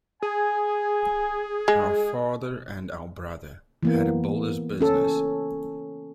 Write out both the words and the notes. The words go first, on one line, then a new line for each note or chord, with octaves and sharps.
Our father and our brother had a builder's business.
G#4 G#5
G#3
E3 A#3 B3
C#4 A4